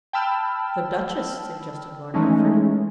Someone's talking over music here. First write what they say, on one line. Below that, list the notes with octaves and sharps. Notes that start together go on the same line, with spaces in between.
"The Duchess!" suggested Lord Rufford.
G5 A5 B5 E6 F6
E3 G#3 A3 C#4 D#4